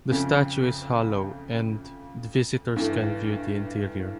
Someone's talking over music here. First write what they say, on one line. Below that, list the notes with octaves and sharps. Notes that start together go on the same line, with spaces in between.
The statue is hollow, and visitors can view the interior.
F2 C#3 F3 A3 C#4
G2 E3 A3